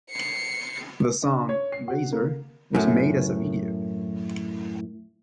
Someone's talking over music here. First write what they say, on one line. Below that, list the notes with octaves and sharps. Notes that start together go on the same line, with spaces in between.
The song, "Eraser" was made as a video.
C7 C#7
D4
C#5
C7
F#4
A#3
F#2 A2